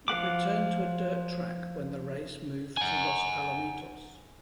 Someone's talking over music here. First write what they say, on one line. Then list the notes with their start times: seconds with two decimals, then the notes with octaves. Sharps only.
It returned to a dirt track when the race moved to Los Alamitos.
0.08 F3 F5 F#5 D6
2.77 F#5 G#5